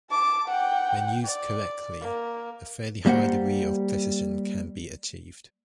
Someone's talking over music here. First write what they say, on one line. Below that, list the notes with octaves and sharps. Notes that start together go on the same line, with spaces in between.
When used correctly, a fairly high degree of precision can be achieved.
A5 D6
F#5 G5
D5
A#3
G3 A#3 C5 F#5